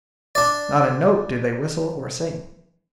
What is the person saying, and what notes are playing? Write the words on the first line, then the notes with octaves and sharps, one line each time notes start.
Not a note did they whistle or sing.
D4 D5